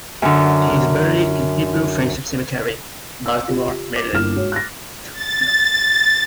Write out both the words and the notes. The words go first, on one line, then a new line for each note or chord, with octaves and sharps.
He is buried in Hebrew Friendship Cemetery, Baltimore, Maryland.
F#2 D3
E6
F4 G4
D6
G1 A#3 E4 A#4 F6 E7
G#2 F#4 C#5
F#6 A6 A#6
A6